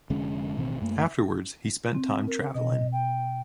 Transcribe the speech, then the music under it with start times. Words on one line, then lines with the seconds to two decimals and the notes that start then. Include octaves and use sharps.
Afterwards, he spent time travelling.
0.10 F1 D3 G#3 C#4
0.57 A1 B2 D#3 C4
0.82 F#2 A3 A#3
1.95 C4
2.27 A#4
2.54 B2 D#5
2.92 G5